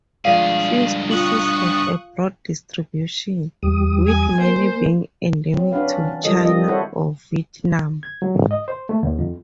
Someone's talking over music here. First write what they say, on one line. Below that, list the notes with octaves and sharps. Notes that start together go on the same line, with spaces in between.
Few species have a broad distribution, with many being endemic to China or Vietnam.
G2 F3 G#3 G#4 D5 F5
F4 C#6 D#6 F#6 F#7
E2 G3 D#6
G#5
A#3 C5
F#3 C4
C#4 D4 F#4 B4 F5
E3
D#3 F3 G3 A4 D#5
G3 C4 F4 D#5
E4 A4 C5 C#5 E5 F#5
G#6
F#3
G#2
D#5
C5
A3
D#2
F2